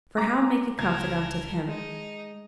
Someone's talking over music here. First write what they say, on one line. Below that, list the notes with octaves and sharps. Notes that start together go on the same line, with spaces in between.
For how make a confidant of him?
A#5 D6 A#6
C#2 A4 A#4 G#6
G#3 D#4